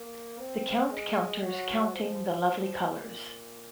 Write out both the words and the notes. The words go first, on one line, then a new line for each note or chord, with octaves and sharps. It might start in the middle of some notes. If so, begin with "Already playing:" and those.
The Count counters, counting the "lovely colors".
Already playing: A#3
C4
G#3
F#3
F3
A#2